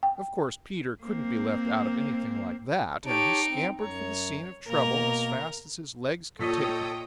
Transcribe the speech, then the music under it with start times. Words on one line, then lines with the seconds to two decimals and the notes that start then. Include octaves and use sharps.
Of course, Peter couldn't be left out of anything like that, and he scampered for the scene of trouble as fast as his legs could take him.
0.03 G5
1.03 A#3 C4
3.06 D#4 G4 C#5 A5 D7
3.49 C4
3.81 F#2 C#5 A#5
4.68 B2 A#3 A#4 A#5
6.39 A#2 A4 C#5 D#5 G5 D#6 B6